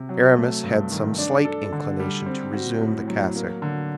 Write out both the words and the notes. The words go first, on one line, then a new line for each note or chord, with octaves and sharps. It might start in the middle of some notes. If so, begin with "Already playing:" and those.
Aramis had some slight inclination to resume the cassock.
Already playing: C3
F#3
A3
G2
D#3
D4
A4
D3
G3
C4
F#4
A2
F#3
A#3
D3